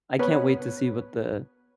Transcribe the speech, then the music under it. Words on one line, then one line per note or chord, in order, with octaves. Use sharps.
I can't wait to see what the
B3 B4 C#5